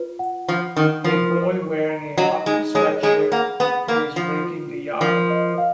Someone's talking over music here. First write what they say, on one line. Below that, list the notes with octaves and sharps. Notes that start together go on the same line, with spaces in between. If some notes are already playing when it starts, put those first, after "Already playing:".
A boy wearing a hockey sweatshirt is raking the yard.
Already playing: F4 B4
F#5
F3 C#6
D#3 C#6
F3 A#4
A#4
C#6
A#5
F#3 D#5
G#3 D#4
G#3 C#5
G#3 G#4
A#3 F#5
B3 F#5
A#3 B4
F3 F4
F4
F4
F3 A#4
D#5
F5